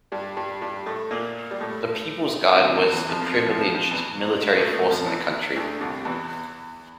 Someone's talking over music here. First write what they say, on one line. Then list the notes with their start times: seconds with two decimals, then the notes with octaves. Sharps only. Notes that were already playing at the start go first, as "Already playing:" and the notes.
The People's Guard was the privileged military force in the country.
0.12 G2 G3
0.37 G2 G3
0.61 G2 G3
0.86 A2 A3
1.11 A#2 A#3
1.51 G3
1.60 A2 A3
2.54 C3
2.59 D2 D3
2.76 E2 E3
2.92 E2 E3
3.09 F2 F3
3.21 F2 F3
3.34 F2 F3
3.46 F2 F3
3.58 F2 F3
3.74 F2 F3
3.91 E2 E3
4.57 A2 A3
4.73 A2 A3
4.90 F2 F3
5.07 E2 E3
5.56 D2 D3
5.80 C2 C3
6.05 E2 E3